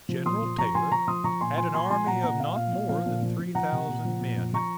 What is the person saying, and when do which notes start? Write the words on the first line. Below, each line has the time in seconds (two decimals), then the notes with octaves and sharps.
General Taylor had an army of not more than three thousand men.
0.09 F3
0.26 A#2 C6 D#6
0.42 F3
0.58 F3 A#5 C#6
0.75 F3 G#5 C6
0.91 F3 A#5 C#6
1.08 F3 C6 D#6
1.24 F3 A#5 C#6
1.41 A#2 G#5 C6
1.57 F3 G#5 C6
1.74 A#2 G#5 C6
1.90 F3 G#5 C6
2.07 A#2 F#5 A#5
2.23 A#2 F#5 A#5
2.40 A#2 F5
2.56 A#2 F5
2.73 A#2
2.89 F3 F5
3.06 A#2
3.23 F3
3.39 F3
3.55 F3 F#5 A#5
3.72 C3
3.88 A#2
4.05 F3
4.21 A#2
4.37 F3
4.53 F3 A#5 C#6